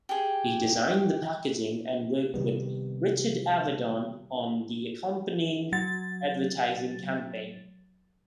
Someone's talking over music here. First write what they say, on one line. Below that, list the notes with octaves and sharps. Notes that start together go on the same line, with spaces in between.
He designed the packaging and worked with Richard Avedon on the accompanying advertising campaign.
G4 G#4
C3 D#3 G3 B3
F#3 A6